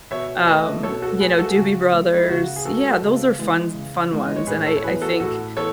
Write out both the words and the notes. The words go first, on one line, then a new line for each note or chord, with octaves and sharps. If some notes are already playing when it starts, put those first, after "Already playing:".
um, you know, Doobie Brothers, yeah, those are funs fun ones, and I I think,
B2 C#5 E5
A3 B4 D#5
B2 A4 C#5
F#4 A4
A3 G#4 B4
F#4 A4
G#4
C#3 F#4
G#3 B3
E4
C#3 F#4
G#4
G#3 B3 F#4 A4
C#3
E3 G#3 B3
C#3
E3 G#3 B3
D#5
C#5
A2 G#4 B4
A4 C#5
C#5
E3 B3 G#4 B4
F#4 A4
A2 F#4 A4
E3 B3 A4 C#5